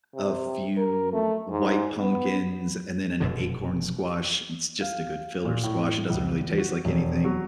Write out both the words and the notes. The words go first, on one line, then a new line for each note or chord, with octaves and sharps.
a few white pumpkins, and then an acorn squash it's just a good filler squash, it doesn't really taste like anything.
C3
A#4
A3
G#2
B3
F1 F#2 B2 D3
F5
A#2
A2
C#2
E2
F#4
E1
F#3